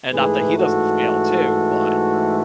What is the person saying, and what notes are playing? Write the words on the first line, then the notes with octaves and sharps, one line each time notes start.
and not that he doesn't fail too, but
G#2 E3 A3 G#4 B4
F#4 A4